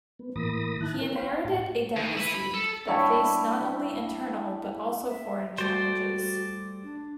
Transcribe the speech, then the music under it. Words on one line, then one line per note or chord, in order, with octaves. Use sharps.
He inherited a dynasty that faced not only internal but also foreign challenges.
B3
A2 E3 A#3 B5 D#6 A#6
D#3 E4 A5 F#6
C4 C#4 E4 A#4
C5 C#5 F5 G5 B5 C6
A2 A5
D#3 E3
E4 B4
B5
A4
G3 D4 E4 C#6
E5
G3 A3 F#4 A4 C5 D5
D4